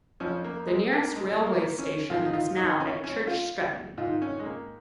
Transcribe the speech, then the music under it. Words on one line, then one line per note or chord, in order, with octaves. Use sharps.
The nearest railway station is now at Church Stretton.
F2 F3 C#4
A#3
G#3
A#3
G#3
G#3
A#3
C#4
G#2 F3 F4
D#4
F4
D#4
C#4
C#4
F4
G#2 D#3 F4
C#4
G#3
A#3